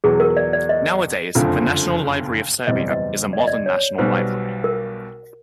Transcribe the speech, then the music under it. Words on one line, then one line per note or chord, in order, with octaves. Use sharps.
Nowadays, the National Library of Serbia is a modern national library.
E2 B2 F#3 G#4
A#4
D5
D5
D#5
F#1 F2 D3 F3 A3
F#1 E2 B2 G3 C4 D#5
D5
D#5
D5
D#5
D5
C#5
B1 B2 G3 C5
A#4